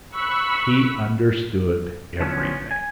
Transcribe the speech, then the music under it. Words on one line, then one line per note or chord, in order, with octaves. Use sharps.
He understood everything.
B5 C#6 E6 F#6 B6
D3 F3 F#3 B3 C#4
G#5